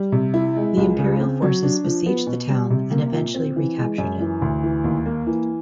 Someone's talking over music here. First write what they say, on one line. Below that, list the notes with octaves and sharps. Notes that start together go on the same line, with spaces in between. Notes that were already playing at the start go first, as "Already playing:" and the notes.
The imperial forces besieged the town and eventually recaptured it.
Already playing: G3
C3
E4
G#3
C#2
C#3
C4
F#3
D4
F3
B3
B2
G3
C3
A#3
A#2
C4
E3
G#3
F#2
E3
D2
E3
D#2
A#3
E3